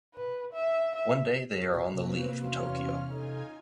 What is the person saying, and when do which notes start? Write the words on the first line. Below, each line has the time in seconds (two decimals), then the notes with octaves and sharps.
One day they are on the leave in Tokyo.
0.15 B4
0.53 E5
0.95 E5
1.53 C#4 F#4
1.93 C3 A#3 C4 B4
2.40 E2 C#4 F4 F#4 F6
3.10 D#4 F4 A4 G#5